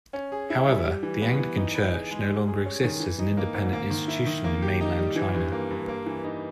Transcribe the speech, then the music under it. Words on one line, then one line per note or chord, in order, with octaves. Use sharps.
However, the Anglican Church no longer exists as an independent institution in mainland China.
C#4
G#4
E4
G3
G3
E3
B3
E3
D#4
B4
G#4
G#3
G3
G#4
C#4
D#3
E3
D#4
A#3
G#2
A#3
D#3
E4
D#3
A#3
G4
D#4
G3
E3
G2
A#3
G2
A#3
E3
D#4